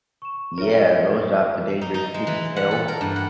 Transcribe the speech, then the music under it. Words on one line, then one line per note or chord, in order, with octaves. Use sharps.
Yeah, those jobs are dangerous to people's health,
C#6 E7
F4 A#4 C#5 E5
D#4
D#4
G#3
E3
F#5
A4
A#4
G2
F#5